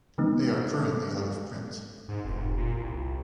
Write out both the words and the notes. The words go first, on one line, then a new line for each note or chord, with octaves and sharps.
They are currently out of print.
C#3 E3 G#3 A#3 B3 D#4
G#2
F1
A#2
C2